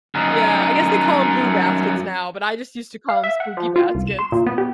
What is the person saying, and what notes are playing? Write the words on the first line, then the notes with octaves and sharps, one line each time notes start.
Yeah, I guess they call 'em, "Boo Baskets" now, but I just used to call 'em spooky baskets.
F#2 D#4
F5
E5
F#5
F3
F4
C2
E7
C6
A#2
B3
G4